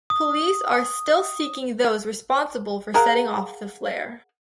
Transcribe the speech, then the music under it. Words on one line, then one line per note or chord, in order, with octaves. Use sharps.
Police are still seeking those responsible for setting off the flare.
D#6
G#4 A#4 F5 F#5